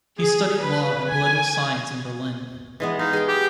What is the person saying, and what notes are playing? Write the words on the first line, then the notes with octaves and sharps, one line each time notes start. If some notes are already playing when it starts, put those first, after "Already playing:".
He studied law and political science in Berlin.
G#4
B4
G#5
E3 G#3 B3
G#3 D#4 F5
G#4 G5
G4